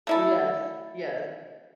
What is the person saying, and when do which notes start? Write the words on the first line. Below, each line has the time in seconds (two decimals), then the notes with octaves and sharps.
Yes. Yes.
0.07 A3 E4 A4